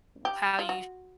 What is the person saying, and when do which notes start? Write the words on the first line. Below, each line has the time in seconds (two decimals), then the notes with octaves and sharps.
W how you
0.25 G4
0.59 F4
0.69 F#4